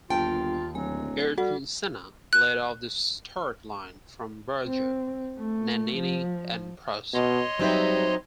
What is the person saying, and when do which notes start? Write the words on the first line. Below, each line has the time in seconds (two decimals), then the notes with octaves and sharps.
Ayrton Senna led off the start line from Berger, Nannini and Prost.
0.10 G1 D#2 F4 G5 A5
0.75 D1 F#3 G#5
1.38 G3 F#4 A4 F#5
2.33 F#6
4.67 C4
5.38 A3
5.97 F3
7.14 B2 C#5 D#5 C6
7.59 F#3 G3 C4 D#4 B4 E5